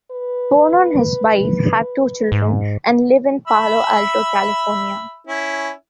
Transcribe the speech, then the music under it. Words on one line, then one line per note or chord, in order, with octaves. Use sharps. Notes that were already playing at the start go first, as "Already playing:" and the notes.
Bono and his wife have two children, and live in Palo Alto, California.
B4
G#2
E5 B5 E6
C#4 E4